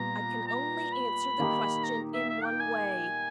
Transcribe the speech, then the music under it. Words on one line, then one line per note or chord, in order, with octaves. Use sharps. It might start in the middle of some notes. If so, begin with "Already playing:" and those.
I can only answer the question in one way.
Already playing: A#2 G3 B3 A#5
A#5
B5
D#3 A#3 D#4 G4
A#5
E5
E5
G5
G#5